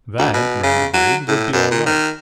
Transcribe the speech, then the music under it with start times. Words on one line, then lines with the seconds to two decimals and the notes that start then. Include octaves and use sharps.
That, Rand agreed, would be all right.
0.19 D2
0.33 B2
0.63 C#3
0.93 F#3
1.28 A2
1.52 F#2
1.71 A#2
1.86 D#3